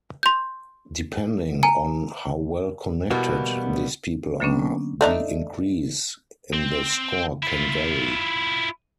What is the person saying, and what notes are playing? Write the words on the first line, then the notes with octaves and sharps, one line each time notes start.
Depending on how well-connected these people are, the increase in the score can vary.
C6 G6
G#5 A#5
B2 E3 G3 A#3 B3 F#4
D3 F#3 A#3 B3 C#4 D4
A3 D4 D#4
C4
E4 F4